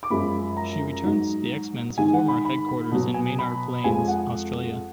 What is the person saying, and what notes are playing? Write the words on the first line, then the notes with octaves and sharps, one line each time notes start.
She returns to the X-Men's former headquarters in Maynards Plains, Australia.
D6
F#2 F3 G#3 B5
A#5
G#2 F#3
G#2 D#3 G#3 G#5
F#5
B5
B5
B5
B2 F#3
G#5
B5
F2 F3 G#3 G#5
F#5